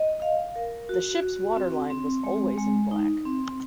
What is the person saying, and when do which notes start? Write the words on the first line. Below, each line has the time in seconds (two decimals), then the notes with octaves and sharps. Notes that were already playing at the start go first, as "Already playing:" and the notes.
The ship's waterline was always in black.
Already playing: D#5
0.22 F5
0.56 A#4
0.89 F#4
1.22 F#4
1.56 C4
1.90 C4
2.24 G#3
2.58 G#3
2.91 D#4
3.25 C4